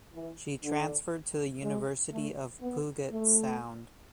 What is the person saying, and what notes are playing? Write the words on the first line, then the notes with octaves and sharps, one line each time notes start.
She transferred to the University of Puget Sound.
E3
D3
G#3
A3
B3
A3